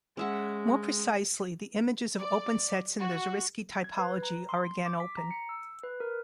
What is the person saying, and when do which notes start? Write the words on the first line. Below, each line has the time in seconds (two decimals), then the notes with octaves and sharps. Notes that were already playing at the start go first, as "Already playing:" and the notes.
More precisely, the images of open sets in the Zariski topology are again open.
0.17 G#3 C#4 E5 F#5
2.18 D5
2.98 F#4
3.84 G#6
3.99 B4
4.23 A#5
4.49 C6
4.86 D6
5.00 B6
5.17 A#5
5.31 C#7
5.49 E6
5.83 B4
6.00 A#4